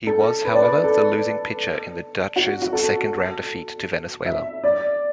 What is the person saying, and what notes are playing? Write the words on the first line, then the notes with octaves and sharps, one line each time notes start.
He was, however, the losing pitcher in the Dutch's second-round defeat to Venezuela.
A4
B4
D5
B4
A4
F#4
F#4
A4
E5
D5